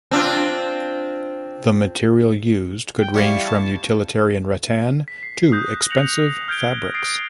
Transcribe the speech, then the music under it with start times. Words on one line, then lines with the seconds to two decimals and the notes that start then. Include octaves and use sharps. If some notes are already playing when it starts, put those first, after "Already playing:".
The material used could range from utilitarian rattan to expensive fabrics.
0.11 C4 D4 F4
2.99 G5
3.14 G3 E4 F5 C#6
3.45 A5
5.08 B6
5.23 C7
5.52 D#6 F#6 G6 A#6
5.90 F#6 A#6 C#7 F7 F#7
6.48 F6 G6 G#6 D7 G7
6.94 D#6 A6 C7 D7